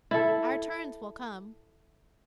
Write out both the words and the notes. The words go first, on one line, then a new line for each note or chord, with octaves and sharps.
Our turns will come.
E4 A4